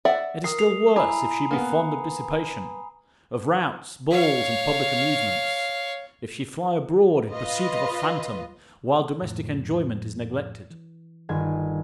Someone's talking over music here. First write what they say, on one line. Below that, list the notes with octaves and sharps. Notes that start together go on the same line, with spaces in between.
It is still worse if she be fond of dissipation,--of routs, balls, and public amusements; if she fly abroad in pursuit of a phantom while domestic enjoyment is neglected.
D5 E5 F#5
A#4 D#6 C7
C7 F7
E4 G#5 A#5 B5
A#3 B3
C#5 F5
F4 B4 D#5
F2 A2 F3
E3
G1 D#3 G#5